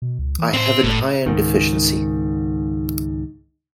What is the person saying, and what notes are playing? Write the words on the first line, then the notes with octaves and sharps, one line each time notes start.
I have an iron deficiency.
B2
C#2
E3
A2 C4 C5
F#1 A2
C#2 G#2 D#3